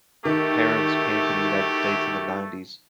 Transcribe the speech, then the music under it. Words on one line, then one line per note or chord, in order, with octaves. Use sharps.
parents came to the United States in the nineties.
D#3 A3 E4 F#4 G4